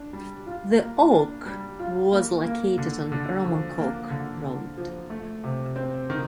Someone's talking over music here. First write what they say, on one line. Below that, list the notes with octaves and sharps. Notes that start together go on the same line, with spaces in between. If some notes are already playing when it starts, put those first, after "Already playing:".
The oak was located on Romancoke Road.
Already playing: D4
G3
F4
A#3
D4
G3
F4
A#3
A#3
D3
D3
F3
A#3
D3
D3
F3
A3
C3
C4
D#3